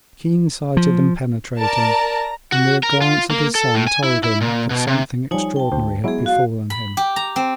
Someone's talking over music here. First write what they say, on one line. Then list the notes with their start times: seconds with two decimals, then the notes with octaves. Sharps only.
Keen-sighted and penetrating, a mere glance at his son told him that something extraordinary had befallen him.
0.77 F3
1.60 A#4 D5 A5 A#5
2.52 F#4
2.83 A#4
3.01 F4
3.31 A#3
3.55 A4
3.75 A2
3.87 G#5
4.04 E4
4.24 E4
4.41 A#2
4.70 B2
4.87 C3
5.31 F3 G3 D#4 C#5 G#5
5.56 G5 A5
5.72 D2 C5
6.04 F#3 G#3 B3 E4 G#4
6.26 F#4 F5
6.70 B5
6.97 G4
7.16 A#5
7.36 C4